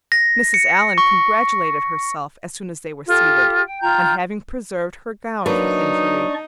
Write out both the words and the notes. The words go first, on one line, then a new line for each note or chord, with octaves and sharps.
Mrs. Allen congratulated herself, as soon as they were seated, on having preserved her gown from injury.
A#6
C#7
C#6
F4 G4 A4
G5
F4 G5 A#5 G6
F#3 A#3 D4 D#4 B4 D5 D#5 C#6